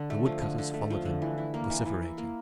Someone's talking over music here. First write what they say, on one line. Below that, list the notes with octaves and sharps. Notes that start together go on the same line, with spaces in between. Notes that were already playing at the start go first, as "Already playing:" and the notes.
The woodcutters followed him, vociferating.
Already playing: D3
A3
F3
D3
D3
A3
F3
D3
E3
E4
A#3
E3
E3
E4
A#3